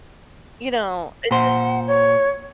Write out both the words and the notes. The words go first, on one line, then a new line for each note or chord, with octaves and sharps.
you know? It's just
A#2 C5 F#5
C#5